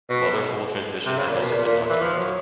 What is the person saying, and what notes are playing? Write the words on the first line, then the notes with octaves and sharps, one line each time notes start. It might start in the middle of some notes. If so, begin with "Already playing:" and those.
Mother-foal transmission has also been documented.
B2
C3
C#3
A#2
B2
A#2
A#2
E3
F3
F#3